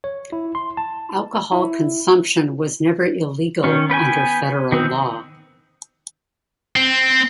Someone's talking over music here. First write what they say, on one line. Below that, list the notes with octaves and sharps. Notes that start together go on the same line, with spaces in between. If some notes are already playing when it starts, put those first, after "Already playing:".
Alcohol consumption was never illegal under federal law.
C#5
E4
C6
A5
E4
D#3 C#4
B3 B4 G5 G#5
D#3 B3 C4
C4